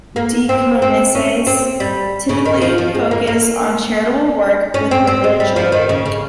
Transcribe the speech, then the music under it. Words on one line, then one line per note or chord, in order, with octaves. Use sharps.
Deaconesses typically focused on charitable work with women and children.
A#3
C4
C4
C#4
C4
G3
C#3
D#3
F3
F3
G#3
A#3
A#3
C#4
C4
C4
G#3
G3
F3
D#3
C#3
C#3